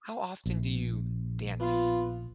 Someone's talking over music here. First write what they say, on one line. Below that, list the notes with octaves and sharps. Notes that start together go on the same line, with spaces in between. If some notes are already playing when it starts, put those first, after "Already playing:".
How often do you dance
A#1
B3 F4